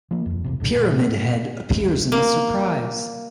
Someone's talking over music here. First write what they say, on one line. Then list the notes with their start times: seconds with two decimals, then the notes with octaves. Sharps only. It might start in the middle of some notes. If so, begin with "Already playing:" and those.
Pyramid Head appears in the Surprise!
0.11 F3 A#3
0.26 D#1 F2
0.44 E1 B1 C3
0.60 D1 D2 G2 D3
0.75 A#2
2.12 A#3